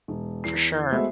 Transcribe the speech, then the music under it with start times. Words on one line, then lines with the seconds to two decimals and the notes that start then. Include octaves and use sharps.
For sure.
0.08 E1
0.44 E2 C7
0.92 G#3 A3 B3 F#4 C5 E5